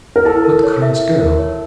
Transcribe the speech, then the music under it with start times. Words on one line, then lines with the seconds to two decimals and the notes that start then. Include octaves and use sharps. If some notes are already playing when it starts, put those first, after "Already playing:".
What cross girl!
0.16 A#4
0.25 E4 A4
0.44 A#4
0.64 C#5
0.82 E5
1.01 E4
1.20 A#4
1.38 C#5